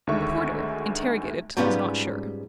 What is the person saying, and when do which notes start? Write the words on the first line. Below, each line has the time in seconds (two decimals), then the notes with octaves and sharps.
The porter, interrogated, was not sure.
0.07 D2 D3 D#3 G#3 E5 C#6
1.57 G#2 G3 B3 C#4 F4